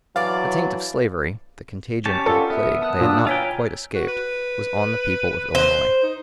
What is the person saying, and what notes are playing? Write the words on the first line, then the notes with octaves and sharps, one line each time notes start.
The taint of slavery, the contagion of a plague they had not quite escaped, was on the people of Illinois.
E3 F#3 D5 F5 A5
C#4 G4 A5 B6 C#7
F4 A4 A#4 D5 F#5
B3 E5
A5 D#6 F#6
A#2 D4 E6
F4 B4 C#5 G5 G#5 A#5
F#4
B4
C5
D#4